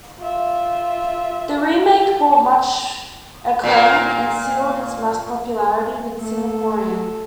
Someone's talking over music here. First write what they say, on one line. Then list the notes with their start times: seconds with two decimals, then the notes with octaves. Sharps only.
The remake brought much acclaim and sealed its mass popularity with Singaporeans.
0.19 F4 E5
3.63 A#2 A#3
6.21 A3 A4